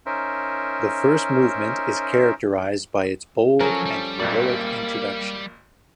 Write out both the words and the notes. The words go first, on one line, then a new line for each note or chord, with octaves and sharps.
The first movement is characterized by its bold and heroic introduction.
C#4 D#4 A#4 C5 E5
F3 F#3 C#4 A4 A#4
G3
G#1 A#2 A#3 D5